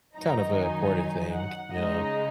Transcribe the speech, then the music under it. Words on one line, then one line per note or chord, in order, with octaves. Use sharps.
kind of a important thing. You know?
F#2 D#3 F#3 D#4 A#5
G#5
F#5
C#3 G#3 D#4 D#5